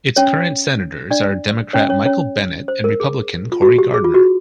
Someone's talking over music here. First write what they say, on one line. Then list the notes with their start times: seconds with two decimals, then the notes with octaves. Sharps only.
Its current senators are Democrat Michael Bennet and Republican Cory Gardner.
0.17 C#4 C#5
1.11 D4 D5
1.73 C#4 C#5
1.89 C#4 C#5
2.06 C#4 C#5
2.68 C5
2.84 A#4
3.00 G#4
3.52 F4
3.62 F#4
3.78 G4
3.94 G#4
4.04 F4
4.14 F#4